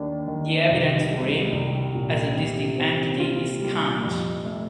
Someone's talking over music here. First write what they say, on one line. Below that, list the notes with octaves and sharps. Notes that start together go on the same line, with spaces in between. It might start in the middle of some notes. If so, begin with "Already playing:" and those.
The evidence for him as a distinct entity is scant.
Already playing: D#2 A#3 D4
D#3
C2
G3
C2
A#2
C3
C4
F4
G3
F2
A3